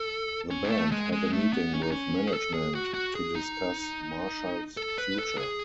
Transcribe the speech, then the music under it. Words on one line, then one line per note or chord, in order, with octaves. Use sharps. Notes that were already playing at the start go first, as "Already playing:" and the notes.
The band had a meeting with management to discuss Marshall's future.
Already playing: A4
C#4
G#3
A3
G#3
G#3
A3
B3
C#4
D#4
C#4
G#4
A4
G#4
F#4
F#4
G#4
D#4
A4
B4
A4
G#4